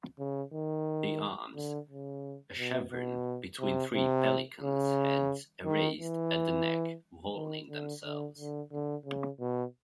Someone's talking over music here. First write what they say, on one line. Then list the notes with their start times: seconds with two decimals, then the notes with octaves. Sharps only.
The arms: A chevron between three pelicans' heads erased at the neck vulning themselves.
0.19 C#3
0.53 D#3
1.55 D3
1.89 C#3
2.58 B2
2.91 B2
3.60 C3
3.94 C3
4.63 C#3
5.65 D#3
5.99 E3
7.35 D#3
7.69 D3
8.04 D3
8.38 D3
8.72 D3
9.05 C#3
9.40 B2